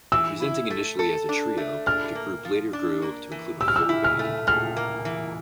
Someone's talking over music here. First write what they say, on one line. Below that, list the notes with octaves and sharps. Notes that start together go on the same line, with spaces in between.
Presenting initially as a trio, the group later grew to include a full band.
E3 E6
E4
A3
A4
D4
A3
D4 F6
A#3
F3
D4
A#3
E3
G4 E6
F6
E6
E4
F6
A3
A2 F6
A#3
E3